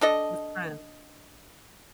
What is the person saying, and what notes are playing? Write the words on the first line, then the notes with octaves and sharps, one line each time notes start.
with friends.
D4 A4 D#5